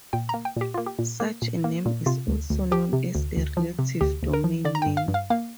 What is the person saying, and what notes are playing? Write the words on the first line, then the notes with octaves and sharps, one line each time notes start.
Such a name is also known as a relative domain name.
A#2 G5
A#5
A#3
G5
A#2 G4
A#3 F4
G4
A#2
A#3
A#2
A#3
A#2
C3 F4
D2
D2
F3 G4
C3
D2
D2
F3
C3
D2 G4
D2
A#4
F3
D3 D5
A#5
G5
G2
F5
G2
F5
A#3 F5